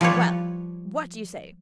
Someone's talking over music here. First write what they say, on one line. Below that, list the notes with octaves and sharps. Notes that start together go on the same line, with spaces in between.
Well, what do you say?
F3 G3 B4 C#5